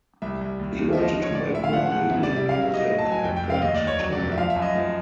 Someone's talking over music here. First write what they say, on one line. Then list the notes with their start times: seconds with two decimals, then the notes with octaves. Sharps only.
He wanted to make more healing music at that time.
0.22 C2 E5
0.41 C2
0.59 D#2
0.79 D#2
0.93 E5
0.97 F3 D#5
1.10 D#5
1.17 F3
1.23 C#5
1.35 A2 D5
1.54 A2 E5
1.64 F5
1.73 F3 F#5
1.91 G#2 F#5
2.10 C#3 E5
2.23 D5
2.30 G3
2.37 E5
2.49 F#3 F5
2.61 E5
2.68 F#3
2.74 D#5
2.86 A2 D#5
2.99 A5
3.05 F#3
3.12 G#5
3.24 F2 G5
3.36 G5
3.44 F2
3.50 F5
3.62 D#2 D#5
3.74 D5
3.81 D#2
3.87 C#5
4.00 F#3
4.13 D5
4.18 F2
4.32 E5
4.38 F3 F5
4.50 E5
4.56 F#2
4.62 D#5
4.75 F3